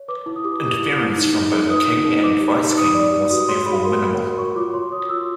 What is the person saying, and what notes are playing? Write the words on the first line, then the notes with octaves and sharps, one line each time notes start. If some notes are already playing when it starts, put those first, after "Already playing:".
Interference from both King and Vice King was therefore minimal.
Already playing: C#5
B4 D6
E4 D6
D#6
G4 D6
G4 D#6
E4
E4
D#4
D#4
G#4
B4 D#6
D#4
D#4
B4 D6
G4
D#4
B4 D#6
D5
G4
F#4 D#6
C#5 C6
F#4 B5
A#4 C6
A#4
F#4
C#5 C#6
F4 D6
C#5 C6
C#5 D#6
F4 E6